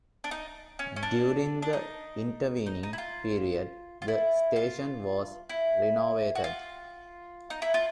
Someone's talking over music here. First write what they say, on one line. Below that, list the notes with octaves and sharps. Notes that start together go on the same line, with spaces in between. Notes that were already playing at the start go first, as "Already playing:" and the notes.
During the intervening period, the station was renovated.
D4
D#4
C#4
C#4
D4
D4
D#4
D#4
D#4
E4
F4
F4
E4
F4
E4
F#4
F4
D#4
E4
F4